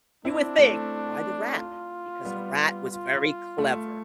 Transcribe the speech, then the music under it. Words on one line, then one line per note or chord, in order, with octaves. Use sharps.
you would think, "Why the rat?" Because the rat was very clever,
C4 D4 E4
A3 C4
F4
G3 B3
F4
A3